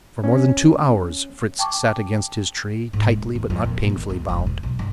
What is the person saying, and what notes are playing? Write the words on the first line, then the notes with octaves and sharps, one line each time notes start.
For more than two hours Fritz sat against his tree, tightly but not painfully bound.
C#4
G5 A5 C#6 D6
G#2
D#1
D#2
F2
A#2
A#1
D#3
C#2
E1
C3
B1
G2